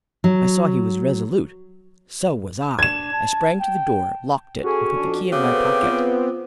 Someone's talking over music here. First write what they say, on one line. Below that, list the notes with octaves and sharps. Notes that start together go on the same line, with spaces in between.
I saw he was resolute; so was I. I sprang to the door, locked it, and put the key in my pocket.
F#3
D4 G#6 E7
A5
G5
C#4 F#4 G#4 A4
F2 D4
C#3 B3 C4 G4
F4